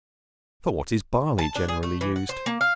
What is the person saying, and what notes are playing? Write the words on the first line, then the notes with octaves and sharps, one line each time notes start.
For what is Barley generally used?
A5
D4
G#4
A3
E3
F#5
C5
A#3
F5